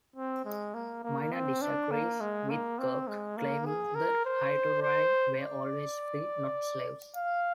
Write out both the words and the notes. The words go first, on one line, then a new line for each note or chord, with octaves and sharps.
Miner disagrees with Kurke, claiming that hetairai were always free, not slaves.
C4
G#3
A#3
A#3
C4
D4
A#3
G#3
A#3
C4
G#3
A#3
G#4
A#4
C5
C5
D5
F5